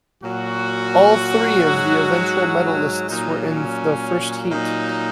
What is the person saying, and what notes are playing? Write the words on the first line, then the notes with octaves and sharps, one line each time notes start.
All three of the eventual medallists were in the first heat.
A#2 F#3 F#4
G#2 F#3
A#2 F#3 D#4
C#4
A#2 F#3 D#4